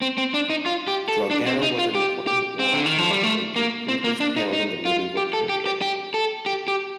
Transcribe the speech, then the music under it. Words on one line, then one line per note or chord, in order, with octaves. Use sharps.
Drogheda was an important walled town in the English Pale in the medieval period.
C4
C4
D4
D#4
F4
G4
A4
D4
C4
D#4
F4
G4
G4
C4
D3
D#3
F3
G3
A3
A#3
C4
A#3
D4
D#4
D#4
F4
G4
A4
G4
G4
G4
A4
G4
G4